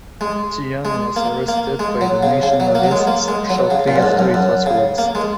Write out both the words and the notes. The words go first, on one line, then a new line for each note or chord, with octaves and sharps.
Tian was arrested by the Nationalists shortly after it was released.
G#3
G#3
A#3
A#3
G#3
F#3
C#3
C#3
F#3
A#3
F#3
G#3
A#3
G#3
F#3
C#3
A#2
F#2
G#2
F#2
F#2
C#3
A#3
G#3